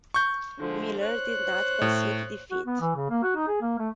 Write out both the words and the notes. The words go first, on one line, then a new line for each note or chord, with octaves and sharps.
Miller did not concede defeat.
C#6 G6
D3 F3 G#3
C5 C#5 F#6
A2
F#4
B3
E3
C#3
A#3
F#4
D#4
G#4
A#3
A3